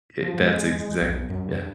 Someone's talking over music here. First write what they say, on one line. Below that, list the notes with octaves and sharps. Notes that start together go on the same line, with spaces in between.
It that's exactly Yeah.
F3
G#3
B1
F#2
G2